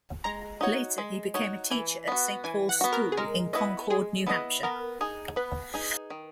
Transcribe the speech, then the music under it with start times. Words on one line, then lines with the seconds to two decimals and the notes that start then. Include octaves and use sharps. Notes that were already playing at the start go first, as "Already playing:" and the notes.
Later, he became a teacher at Saint Paul's School in Concord, New Hampshire.
0.24 G#3 A#5
0.61 D#4 F#4 C#5
0.98 G#3
1.34 D#4 F#4 C#5
1.70 E3 G#5
2.08 B3 F#4
2.44 E3 G#5
2.69 F#5
2.81 B3 F#4
2.93 A#4
3.12 G#4
3.17 G#3 A#4
3.53 B3 E4 B4 D#5
3.90 G#3 G#4
4.27 B3 E4 B4 D#5
4.63 B3 A#4
5.01 D#4 G#4
5.36 B3 B4
5.74 D#4 G#4
6.10 D#3